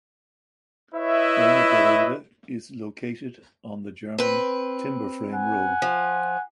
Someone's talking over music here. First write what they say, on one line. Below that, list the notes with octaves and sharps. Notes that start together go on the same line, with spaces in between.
Wernigerode is located on the German Timber-Frame Road.
E4 B4 C#5 D#5 E5
C4 B4
F#5 G#5
F3